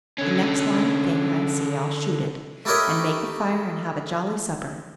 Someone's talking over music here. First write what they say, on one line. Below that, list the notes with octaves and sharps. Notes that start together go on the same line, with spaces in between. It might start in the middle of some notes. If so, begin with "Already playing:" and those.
The next live thing I see I'll shoot it, and make a fire and have a jolly supper.
D3 C#4
A3 E4 G4 A#4 C#5 D#5